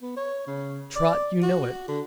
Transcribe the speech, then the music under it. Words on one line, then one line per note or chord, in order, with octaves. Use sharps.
Trot, you know it.'
B3
C#5
C#3
D5
F#4
D3